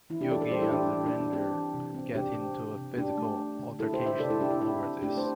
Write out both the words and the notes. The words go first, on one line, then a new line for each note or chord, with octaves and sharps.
Yogi and the Ranger get into a physical altercation over this.
E3 E4
D4 G4
E3 A4 D5
A4 D5
G3 G4 C5
E4 A4
E3 D4 G4
D4
E3
D4
E3
D4
C4 D4 G4
E3
C3
C4
C3 D4 G4
C4
C3
C3
D4 G4
A3
D4
D3
D3 E4 A4
G4 C5
D3
C5 E5
C3 A4 D5
E4 A4
C3 D4 G4
E4
C3 E4
C4
A3 D4 G4
C5